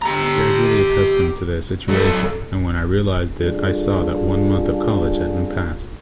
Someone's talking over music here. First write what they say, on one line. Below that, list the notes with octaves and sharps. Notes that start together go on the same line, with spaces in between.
I gradually accustomed to the situation and when I realized it I saw that one month of college had been passed.
G4 A#5
F#3 A4
G3 D4 F4 G#4 A4